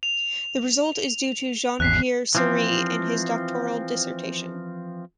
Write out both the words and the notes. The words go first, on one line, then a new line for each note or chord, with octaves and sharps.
The result is due to Jean-Pierre Serre in his doctoral dissertation.
F7
G#1 E2 F#6 B6 C7
E3 F3 C4